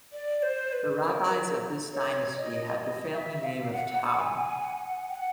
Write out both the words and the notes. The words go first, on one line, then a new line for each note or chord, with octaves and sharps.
The rabbis of this dynasty have the family name of "Taub".
D5
C5
B4
A#4
C#5
D#5
D#5
F5
E5
F5
F#5
G#5
F#5
G5
F#5